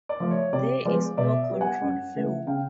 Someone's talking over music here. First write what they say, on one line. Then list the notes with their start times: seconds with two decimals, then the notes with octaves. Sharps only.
There is no control flow.
0.09 D5
0.20 F3 A3
0.31 C#5
0.53 C3 D5
0.85 F3 G#3 B3 D5
1.17 B2 D5 E5
1.50 G3 B3
1.61 F#5 G#5
1.82 F#2
2.15 C#3 E3 A3
2.47 C#3 F5 G5